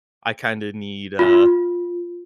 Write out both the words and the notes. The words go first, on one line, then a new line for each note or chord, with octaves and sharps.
I kinda need, uh,
F4